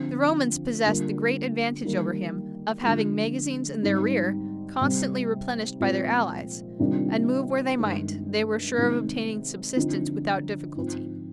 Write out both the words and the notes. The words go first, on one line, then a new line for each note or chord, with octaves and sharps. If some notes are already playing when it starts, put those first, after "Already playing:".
The Romans possessed the great advantage over him of having magazines in their rear constantly replenished by their allies, and move where they might, they were sure of obtaining subsistence without difficulty.
Already playing: D3 F3 C4 F4
D3 G3 A#3 F4
D#3 G3 A#3
D3 F3 G#3
G#2 G3 C4
C3 G3 C4
A#2 F3 G#3 C4
C3 D#3 G3 D4 F4
G2 D#3 G#3 D#4
C3 D#3 G#3 D#4
D3 F3 C4 D#4
G#2 F3 C4